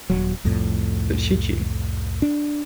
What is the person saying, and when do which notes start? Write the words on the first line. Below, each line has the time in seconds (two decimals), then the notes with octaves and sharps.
But should you?
0.10 D#1 F#3
0.44 C2 F2 A2
2.22 D4